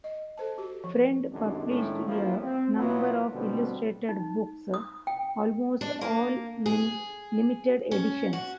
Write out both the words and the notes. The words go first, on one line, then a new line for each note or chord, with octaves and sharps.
Friend published a number of illustrated books, almost all in limited editions.
D#5
A4 C5 A5
F#4 G4
F3
C2 F#2 D#3 G#3 D4
A2 D#3 G#3 A3 C#4 D4
A1 F3 G3 A#3 E4 F4
C4
B2 F#3 B3 E4 F4
B2 D3 G3 C4 D4
D#4
D#6
G5
D4
A#3
G#4
C#4
F#4